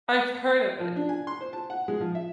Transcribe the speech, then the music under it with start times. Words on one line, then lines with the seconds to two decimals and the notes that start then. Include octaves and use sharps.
I've heard of it.
0.80 F3
0.96 D4
1.09 G#5
1.27 C6
1.41 C5
1.53 A5
1.70 F#5
1.88 G#3
2.01 F3
2.15 E5